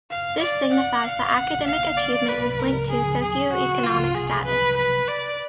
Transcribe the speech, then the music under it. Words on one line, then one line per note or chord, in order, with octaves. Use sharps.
This signifies that academic achievement is linked to socioeconomic status.
F5
D5
F#5
F5
F#5
F5
D5
B4
A#4
G#4
G#4
F#4
F4
G#4
B4
B4
D5